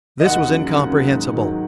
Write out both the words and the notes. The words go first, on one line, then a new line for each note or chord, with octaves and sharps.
This was incomprehensible.
D#5
D#2 F#5
C#3 F#3
D#2
C#3 F#3
G#2
D#3 F#3